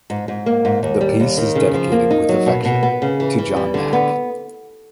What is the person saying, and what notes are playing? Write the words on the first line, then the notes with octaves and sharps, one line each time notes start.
The piece is dedicated "with affection" to John Mack.
G#2
G#2
A#3
G#2
D#2
G3
D#2
D#3
C#3
F3
A#3
D#4
F#3
B2
B2
B3
C#3
E3
E3
G3
D3
B3